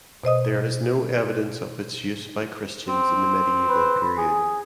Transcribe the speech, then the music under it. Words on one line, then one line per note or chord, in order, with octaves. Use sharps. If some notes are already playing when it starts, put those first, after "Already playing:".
There is no evidence of its use by Christians in the medieval period.
B2 C5 D#5 D#6
C4
B4
G#4